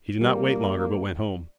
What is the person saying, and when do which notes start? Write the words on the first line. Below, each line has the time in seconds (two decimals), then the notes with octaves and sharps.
He did not wait longer but went home.
0.21 G3 A#3